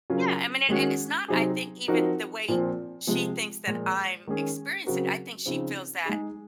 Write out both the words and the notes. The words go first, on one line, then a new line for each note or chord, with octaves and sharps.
Yeah, I mean, and and it's not, I think, even the way she thinks that I'm experience it, I think she feels that
C#3 F#3 C#4 F4 A#4
D#3 G#3 C#4 F#4
C3 F#3 C4 D#4 G#4
F3 C4 D#4 F#4 A#4
A#2 F3 C4
C3 F3 G#3
A#2 F3 G#3
D#3 G#3 C#4 G#4
C#3 F#3 C4 F#4 A#4
C#3 F3 C4 D#4
G#3 D#4 G#4